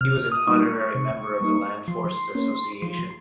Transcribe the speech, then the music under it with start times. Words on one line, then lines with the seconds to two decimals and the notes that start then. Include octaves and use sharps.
He was an honorary member of the Land Forces Association.
0.01 C3 F6
0.32 D#6
0.47 G3 A#3 D#4
0.63 C#6
0.95 C3
1.41 G3 A#3 D#4
1.88 F3 C6
2.35 A#3 C#4
2.82 F3 C6